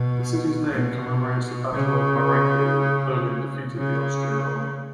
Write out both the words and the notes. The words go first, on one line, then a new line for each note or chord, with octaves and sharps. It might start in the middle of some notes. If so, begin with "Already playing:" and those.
The city's name commemorates the Battle of Marengo, where Napoleon defeated the Austrian army.
Already playing: B2
B2
C#3
C#3